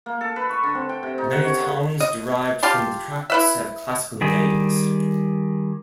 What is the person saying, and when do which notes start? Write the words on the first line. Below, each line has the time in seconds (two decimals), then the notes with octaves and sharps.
Many towns derived from the tracts have classical names.
0.06 A#3
0.21 A4
0.36 B4
0.49 C#6
0.63 D3
0.75 C4
0.89 G5
1.03 C3
1.18 D#4
1.32 F#5
1.44 C#5
1.58 D#3
2.00 D#5
2.63 F4 G4 A5 C6
3.30 E4 B4 E5
4.21 D#3 G3 G#4